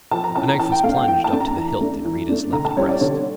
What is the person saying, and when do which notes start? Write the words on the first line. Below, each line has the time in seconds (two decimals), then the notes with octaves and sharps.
A knife was plunged up to the hilt in Rita's left breast.
0.11 F3 A5
0.24 A#5
0.36 C#4 E4 A5
0.48 A#5
0.60 E3 A5
0.72 G5
0.84 A3 F5
0.88 D4
0.96 G5
1.08 E3 G5
1.24 A5
1.32 A3 D4
1.40 A#5
1.56 E3
1.81 A3 D4
2.05 E3
2.29 A3 D4
2.53 D3 A#5
2.65 A5
2.77 G3 C#4 E4 C#5
2.89 D5
3.01 D3 C#5